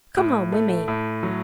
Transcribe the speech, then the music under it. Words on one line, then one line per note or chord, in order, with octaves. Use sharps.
Come home with me.
A2
A3
A2
F#3